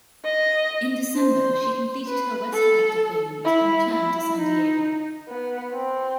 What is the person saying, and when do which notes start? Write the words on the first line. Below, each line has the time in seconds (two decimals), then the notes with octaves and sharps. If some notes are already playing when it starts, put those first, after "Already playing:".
In December, she completed her WestPac deployment and returned to San Diego.
0.24 D#5
1.16 C5
2.07 B4
2.53 A4
3.45 E4
3.90 E4
4.36 D#4
5.28 B3
5.73 C4